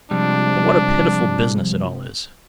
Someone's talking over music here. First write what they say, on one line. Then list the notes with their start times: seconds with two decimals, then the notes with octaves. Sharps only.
But what a pitiful business it all is!
0.11 C3 F3 G3 G#3 D4